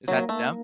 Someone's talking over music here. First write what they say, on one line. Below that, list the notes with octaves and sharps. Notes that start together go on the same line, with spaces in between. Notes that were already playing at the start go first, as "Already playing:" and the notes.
is that them?
F#3 A#3 D#4 A#4 F5
A3